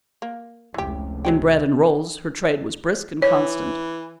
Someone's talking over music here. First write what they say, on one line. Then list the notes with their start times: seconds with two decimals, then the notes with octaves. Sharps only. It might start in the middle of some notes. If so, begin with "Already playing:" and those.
In bread and rolls her trade was brisk and constant.
0.22 A#3
0.74 F1 C#2 E3 G4
1.25 F#3 G#3 G5
3.22 E3 C#5